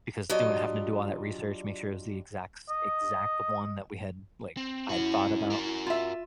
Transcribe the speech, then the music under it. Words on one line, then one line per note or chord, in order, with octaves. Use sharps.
because doing having to do all that research, make sure it was the exact s exact one that we had like, I had thought about,
F#3 G3 D4 F4 D#5
D#5
C4
C#4 E4 F#4
F#4 A#4
F4 E5